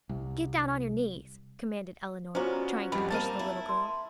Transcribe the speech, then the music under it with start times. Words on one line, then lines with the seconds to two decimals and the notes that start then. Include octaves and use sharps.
"Get down on your knees," commanded Elinor, trying to push the little girl.
0.09 C2
2.35 G3 B3 C#4 F4 F#4 C5 A#5
2.92 F2 D3 D#3 G3 G#3 B5
3.11 A#3 C4 A#4 A5 A6 D#7
3.39 E4
3.69 C6